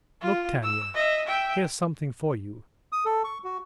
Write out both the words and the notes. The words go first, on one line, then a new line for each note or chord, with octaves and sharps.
Look, Tanya, here's something for you!
F4
E6
D#5 E5
E5 G5
D#6
A4
C#6
F#4